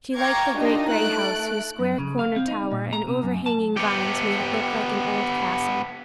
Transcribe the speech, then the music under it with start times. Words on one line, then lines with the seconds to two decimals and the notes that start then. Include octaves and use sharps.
She liked the great gray house whose square corner tower and over-hanging vines made it look like an old castle.
0.16 F5 G5 A#5 C#6 D6 G#6
0.55 D4 D#4 F4 G4 A#4 D#5
0.90 A3 A4 F#6 D7
1.79 F#2
1.98 C#3
2.19 F5
2.36 C4
2.48 D#4
2.72 A#2
2.93 A#5
3.07 C3
3.23 F#2
3.46 A5
3.77 B3 G4